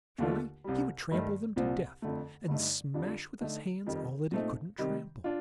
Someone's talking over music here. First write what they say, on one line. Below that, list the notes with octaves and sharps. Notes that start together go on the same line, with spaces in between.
Naturally he would trample them to death, and smash with his hands all that he couldn't trample.
D#2 D3 A3 D4 F4
C2 C3 G3
G2 D#3 A3
C2 A#2 F3 C4
F2 D3 A3
G2 D3 A3 D#4
F2 D3 G3 D4 F4
D3 A3 D#4
F2 D#3 G3
A#2 A3 C4 D#4
C3 D#3 G3
D4 F4